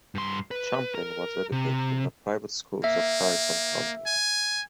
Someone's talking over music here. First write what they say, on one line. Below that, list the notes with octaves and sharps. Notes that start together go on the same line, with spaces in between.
Champlin was educated in the private schools of Harrison County.
G2 C6
B4
A#4
C3
A#3 E5
G#5